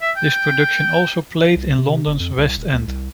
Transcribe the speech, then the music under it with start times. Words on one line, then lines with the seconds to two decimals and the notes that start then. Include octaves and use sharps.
This production also played in London's West End.
0.01 E5
0.16 G5
1.56 C2
1.78 C3
2.07 G1
2.20 F2
2.37 C2
2.57 D#1
2.73 C#2
2.87 C2